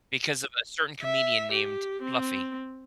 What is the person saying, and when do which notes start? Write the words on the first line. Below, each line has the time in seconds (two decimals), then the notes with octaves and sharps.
because of a certain comedian named Fluffy.
1.02 E5
1.52 G4
2.02 C4